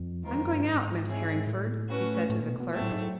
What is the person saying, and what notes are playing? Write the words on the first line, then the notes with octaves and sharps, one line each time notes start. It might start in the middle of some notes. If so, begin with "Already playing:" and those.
"I am going out, Miss Harringford," he said to the clerk.
Already playing: F2
E2 D#3 G#3 C4 F4 A#4
F2
F#2
G2
G#2
G#3 C4 E4 G#4 C#5
A2
A3 C#4 F#4 B4
A2
A#2
B2
B2
A#2 F#3 A3 C4
A2
G#2
A2